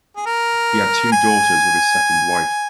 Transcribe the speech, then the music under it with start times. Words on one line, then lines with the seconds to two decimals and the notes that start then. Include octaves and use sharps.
He had two daughters with his second wife.
0.16 G#4
0.26 A#4
1.12 G#5